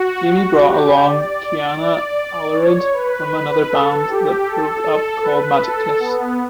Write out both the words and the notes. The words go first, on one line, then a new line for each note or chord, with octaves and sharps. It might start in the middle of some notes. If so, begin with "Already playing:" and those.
Jamie brought along Kianna Alarid from another band that broke up called Magic Kiss.
Already playing: F#4
G4
D5
D5
C#5
B4
A4
G4
A4
B4
A4
B3